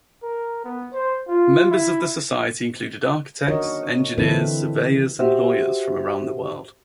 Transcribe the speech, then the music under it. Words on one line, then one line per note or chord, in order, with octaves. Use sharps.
Members of the Society include architects, engineers, surveyors and lawyers from around the world.
A#4
B3
C5
F4
E4
D#3 D4 F#4 A#4 C#5 D#5
D3 E3 C4 E4 A4 B4
F#4 G4 C5 E5